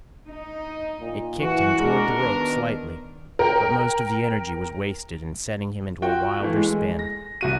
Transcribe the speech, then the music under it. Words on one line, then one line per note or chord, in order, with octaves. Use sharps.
It kicked him toward the rope slightly, but most of the energy was wasted in setting him into a wilder spin.
D#4
A#2
E3 F#4
G#3 D4 A#4
D#3 B3
A#4 G5
F4 F#4 G5
E3 A3
G#3
A#6
C2 F#4 D#7